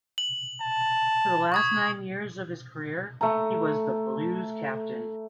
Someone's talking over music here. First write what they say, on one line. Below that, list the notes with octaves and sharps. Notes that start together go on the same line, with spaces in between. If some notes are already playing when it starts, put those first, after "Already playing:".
For the last nine years of his career, he was the Blues' captain.
F#7
A5
C#6 D#6 G#6
A3 A#5